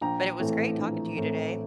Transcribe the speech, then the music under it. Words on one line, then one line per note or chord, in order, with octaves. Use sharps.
But it was great talking to you today.
A#1 G5 A#5
A2 E3 A3 C4
A#1
A2 E3 A3 C4